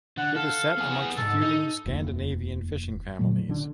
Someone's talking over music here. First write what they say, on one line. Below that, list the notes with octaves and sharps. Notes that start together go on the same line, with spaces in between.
It is set amongst feuding Scandinavian fishing families.
D3 F#5
A4 F5
B3 G#4
C2 G#2 A4
D#4
F1 D#2
A#2 D3 F#3 A3
D3 D4